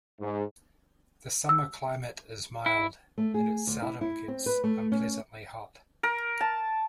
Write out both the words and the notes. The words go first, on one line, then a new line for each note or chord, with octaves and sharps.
The summer climate is mild, and it seldom gets unpleasantly hot.
G#2
E6
E4
A3
G#4
D2
E4
E4
C4
B4
A3
C#4
A#4
A5